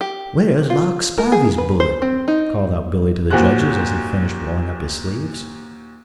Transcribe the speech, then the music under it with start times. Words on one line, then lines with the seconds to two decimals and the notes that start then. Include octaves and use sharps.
"Where's Lark Spivey's bullet?" called out Billy to the judges, as he finished rolling up his sleeves.
0.01 G4
0.70 F4
1.18 A#4
1.32 G#4
1.58 B4
1.80 C5
2.02 C4
2.28 D#4
3.30 D#2 A#2 F#4 G4 C5 F#6